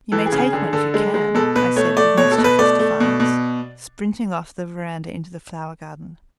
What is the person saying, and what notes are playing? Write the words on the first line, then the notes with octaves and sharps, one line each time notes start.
"You may take one if you can," I said with mischievous defiance, springing off the veranda into the flower-garden.
E3 A4
G#4
C#3
G#4
D3 G#4
D3 A4
G#3
G#3
B2 A4
B2 B4
A3 C#5
A3 D5
B2 C#5
A4
B2
B4
A3 D5
A3
B2
B2